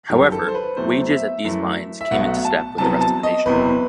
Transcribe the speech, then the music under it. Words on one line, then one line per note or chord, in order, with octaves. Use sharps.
However, wages at these mines came into step with the rest of the nation.
G1 F#2 D#3 G3 G4
A4
C5
B4
E2 C3 F#3 A3 C5
E5
F#2 E3 A3
E5
B1 B2 A3 F#5
A5
C2 C3 F#3 B3 A5
A5
D#5
F#1 E2 C3 B4